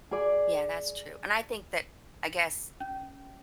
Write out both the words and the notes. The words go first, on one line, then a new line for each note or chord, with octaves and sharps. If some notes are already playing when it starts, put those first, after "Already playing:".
Yeah, that's true. And I think that, I guess,
G#4 D5
C#4